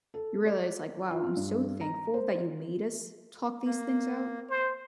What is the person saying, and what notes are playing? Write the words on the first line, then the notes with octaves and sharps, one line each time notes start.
you realize like, "Wow, I'm so thankful that you made us talk these things out.
A4
D5
F4
G2
A#5
C5
A#3
C5